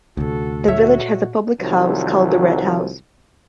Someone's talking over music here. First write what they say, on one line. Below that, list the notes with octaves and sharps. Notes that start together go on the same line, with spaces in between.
The village has a public house called the 'Red House'.
D2 C3 F3 F#4 A4
A#2 F#4 A4 C#5 E5
C2 D#3 F3 F#3